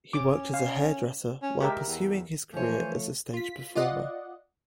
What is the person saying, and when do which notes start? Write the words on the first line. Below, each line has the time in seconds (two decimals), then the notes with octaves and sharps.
He worked as a hairdresser while pursuing his career as a stage performer.
0.13 C#4 D6
0.54 F5
1.42 C#4
1.61 G#3 G4 A#4 E5
1.86 E2
2.54 E3 F3 A3 C5 C#5 G#5 G6
3.34 F4 B6
3.75 F4 D5 D#5 F#5